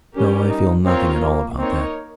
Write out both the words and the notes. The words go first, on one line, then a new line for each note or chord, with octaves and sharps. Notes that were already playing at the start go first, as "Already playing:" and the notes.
No, I feel nothing at all about that.
G3 C#4 G4 A#4
D#4
A#3 C4 F4 A#4 C#5
A#3
A#3 C4 D#4 A#4 C#5